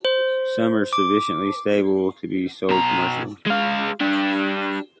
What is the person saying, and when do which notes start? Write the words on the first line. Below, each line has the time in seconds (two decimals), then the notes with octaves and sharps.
Some are sufficiently stable to be sold commercially.
0.05 C5
0.93 D6
2.70 B2 A#5
3.46 G#3 F5
4.00 D4 G4